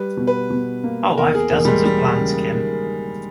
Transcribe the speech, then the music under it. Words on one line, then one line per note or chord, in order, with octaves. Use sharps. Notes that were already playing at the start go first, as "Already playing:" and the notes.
Oh, I’ve dozens of plans, Kim.
Already playing: G3 B4
B2
B4
B2
A#3
E2 A#4
G#4
E1 A#3
G3
G#3
G3 G#3
C#3
D#3